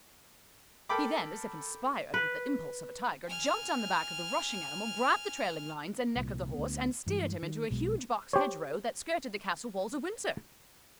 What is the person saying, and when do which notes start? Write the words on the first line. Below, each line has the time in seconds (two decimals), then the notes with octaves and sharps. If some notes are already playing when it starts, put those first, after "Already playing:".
He then, as if inspired with the impulse of a tiger, jumped on the back of the rushing animal, grabbed the trailing lines, and neck of the horse, and steered him into a huge box hedge row that skirted the castle walls of Windsor.
0.89 A4 A#4 G5 B5 D6
2.14 B4
3.27 G#5 F6
6.16 C2 A#2
6.54 D2 B3
7.07 G2 E3 G#3
7.43 D#3
7.71 B1 B2 G#3
8.33 G4 C5 C#5